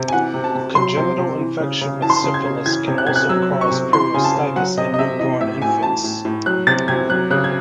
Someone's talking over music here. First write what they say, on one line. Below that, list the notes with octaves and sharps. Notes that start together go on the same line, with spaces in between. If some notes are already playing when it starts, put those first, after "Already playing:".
Congenital infection with syphilis can also cause periostitis in newborn infants.
Already playing: C3
G#5
E3 F#5
C3
A5
C3
F#3 C6
C3
C3
E3
C#3
C#3
E3 A5
C6
A5
C#3
G#6
C#3
E3 G#6
C3
F#6
C3 G#6
F#6
F#3 E6
C3
C#6
C3
E3 C6
C#3 G#5
A5
C#3
F#3 F#5
C3 D#5
D#5
C3 E5
E3 D#5
A2 E5
A2 G#5
E3 A5
A2
A2
F#3 F#6
C3 A6
C3 G#6
F#3 F#6
C#3 F#6
G#6